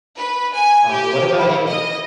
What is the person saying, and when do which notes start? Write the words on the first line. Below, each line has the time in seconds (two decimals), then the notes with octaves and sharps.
Um, but what about you?
0.17 B4
0.54 G#5
0.91 G4
1.38 E4
1.67 D#5